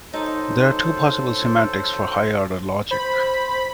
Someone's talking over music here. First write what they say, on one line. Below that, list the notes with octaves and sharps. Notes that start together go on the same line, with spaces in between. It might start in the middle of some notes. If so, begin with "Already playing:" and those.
There are two possible semantics for higher order logic.
F#3 D#4 A4 C5 D#5
C5 B5